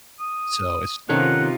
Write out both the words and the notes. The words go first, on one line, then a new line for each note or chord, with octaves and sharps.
so it's
D#6
C3 D#3 C#4 D#4 F4 A4 F#5